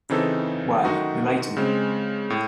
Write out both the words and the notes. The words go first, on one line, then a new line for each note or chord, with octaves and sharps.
Why, you lied to me.
C#3 E3 C4 D#4 A4
F#2 D#3 A3 D#4 F#4
C#3 G#3 C4
A2